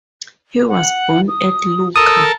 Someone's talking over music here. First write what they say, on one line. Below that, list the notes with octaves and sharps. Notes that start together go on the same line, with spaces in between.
He was born at Lucca.
F#5
D#6
A4 A#4 A5 D#6 E6